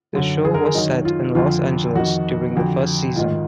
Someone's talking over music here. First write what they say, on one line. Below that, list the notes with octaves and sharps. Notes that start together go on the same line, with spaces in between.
The show was set in Los Angeles during the first season.
F#2 D3
G#4
A#4
G#4
F#2 D#3 D#4
F4
F2 D3 F4
F2 D#3 F#4
F2 D3 F#4
G#2 D#3 F4